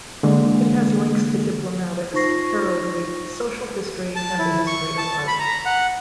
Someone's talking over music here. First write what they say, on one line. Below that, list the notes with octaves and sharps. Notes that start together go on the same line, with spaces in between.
It has links to diplomatics, heraldry, social history, and the history of art.
D3 E3 G#3 A#3
D#4 F4 C5 C#6 A#6 C7
A5
E4
C#6
A5
B5
A#5
F#5